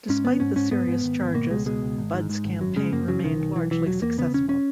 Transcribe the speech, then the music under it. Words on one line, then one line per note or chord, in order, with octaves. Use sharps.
Despite the serious charges, Budd's campaign remained largely successful.
G#2 C#4
G#1 B3
G#2 C#4
G#2 C#4
G#2 B3
G#2
G#1
G#1
B2 A#3
C#2 G#3
B2 G#3
C#2
G#1
G#2
G#2
G#1
F#2 F#3
C#3 G#3
F#2 A#3
C#3 F#3
B1 D#3
B1
B1 E3
B1 E3
E1 F#3
E2 A#3
C#3 B3
E1 C#4
C#4